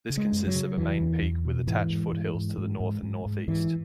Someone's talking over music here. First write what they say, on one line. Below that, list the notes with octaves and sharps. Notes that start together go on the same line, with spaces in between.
This consists of a main peak with attached foothills to the north and northeast.
C#3
G#3
F#2
F#3
C#3
E2 E3
E2
E2
B2
G#2 E3
G#2
G#2
G#2
G#2
G#2
G#2
G#2
G#2 E3